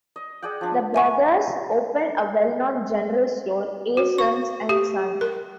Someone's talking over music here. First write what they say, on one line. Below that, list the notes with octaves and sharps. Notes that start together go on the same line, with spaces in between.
The brothers opened a well-known general store, A. Sones and Son.
D#5
G#4 D5 F#5 G5
F3 D4
E5 G#5 C#6
F#4
C#6
G4
A#4